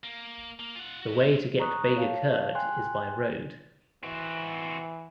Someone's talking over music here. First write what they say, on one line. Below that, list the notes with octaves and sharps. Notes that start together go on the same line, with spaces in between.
The way to get Bega Khurd is by road.
A#3
A#3
F4 F#5
B3 F#4
F#3 G#3
A#5 C#6 D#6 F#6
C#5 F5 A5
G5 G#5 C6 F#6
E3 C4 F#4